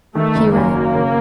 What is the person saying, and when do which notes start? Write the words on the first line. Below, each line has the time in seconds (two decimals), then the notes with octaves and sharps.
He rang.
0.15 D#3 A3
0.35 F#1
0.56 F#2 A#3
0.75 F#3
0.95 C#3